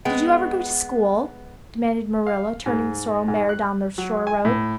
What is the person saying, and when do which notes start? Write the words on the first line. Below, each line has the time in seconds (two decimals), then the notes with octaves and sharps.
"Did you ever go to school?" demanded Marilla, turning the sorrel mare down the shore road.
0.05 G#3 B3 G5
2.27 F5
2.66 G#2
3.28 G#2
3.49 F#6
3.98 F#3
4.27 G#5
4.45 A2